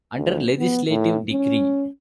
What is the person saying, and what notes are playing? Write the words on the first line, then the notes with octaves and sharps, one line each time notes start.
Under legislative decree.
D2
B3
A2
C#4